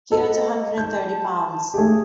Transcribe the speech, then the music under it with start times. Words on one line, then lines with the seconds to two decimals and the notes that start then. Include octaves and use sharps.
He earns a hundred and thirty pounds.
0.12 A4 D#5
0.78 A5 G6
1.74 A3 G4 G#4